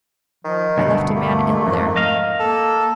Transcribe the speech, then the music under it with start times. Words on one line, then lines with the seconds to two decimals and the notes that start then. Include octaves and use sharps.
I left a man ill there.
0.45 D#3 F3
0.78 D2 G2 B2 A3
1.16 A#3
1.67 F2 G#2
1.96 D#5 F5
2.39 A#3 A4